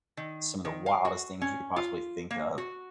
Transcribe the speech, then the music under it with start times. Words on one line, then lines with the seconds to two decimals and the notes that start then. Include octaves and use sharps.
some of the wildest things you could possibly think of,
0.17 D#3
0.65 D#3
0.86 F5
1.05 F#4
1.42 C#4
1.76 F4
2.31 A#3
2.58 F#4